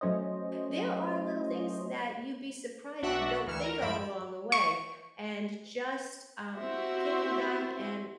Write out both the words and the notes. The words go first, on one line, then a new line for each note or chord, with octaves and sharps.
There are little things that you'd be surprised you don't think of along the way, and just, um, kicking back and
F#3 A3 C#4 C5 D#5
B1 D4 F#4 E5 F#5 C#6
D2 E3 F6 C#7 E7
A#4
G2 F3 E5 B5 D7
C#6
C4 E4 F#4 G4 C5 E5